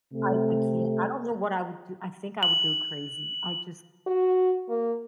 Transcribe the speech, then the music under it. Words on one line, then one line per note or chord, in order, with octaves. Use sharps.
I I can't. I don't know what I would do. I think I would go crazy. I just
C3 A3
F#7
F#4
A#3